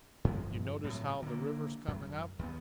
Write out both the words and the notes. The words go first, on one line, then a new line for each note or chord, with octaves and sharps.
Yuh notice how the river's coming up?
G2 F3 G#3
A2 C3 F#3
D3 A#3
F#2
D#2 B3